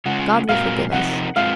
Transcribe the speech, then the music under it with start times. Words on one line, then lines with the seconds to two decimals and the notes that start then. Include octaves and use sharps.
God will forgive us.
0.06 C#3 G#3 C#4 F4 F#5
0.49 A#2 G#3 C4 F#4 A#4 F5
0.92 C3 F3 C4 D#4 A#4 F#5
1.36 G#3 C4 F4 F5